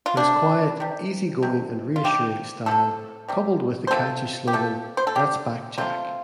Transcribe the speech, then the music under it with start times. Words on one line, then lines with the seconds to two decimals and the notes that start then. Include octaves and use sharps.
His quiet, easy-going and reassuring style, coupled with the catchy slogan Let's back Jack!
0.06 F4
0.17 C3 A3 D4
0.80 C3 G3
1.43 C3 A3
1.96 F4
2.04 C3 G3 G4
2.66 F3 A3 A4
2.71 C3
3.28 C3 G3
3.87 C5
3.91 C3 F3 A3 A4
4.47 G4
4.53 C3 F3 A3 A4
4.97 C5
5.07 A4
5.15 D3 G3 G4
5.78 C3 A3 F4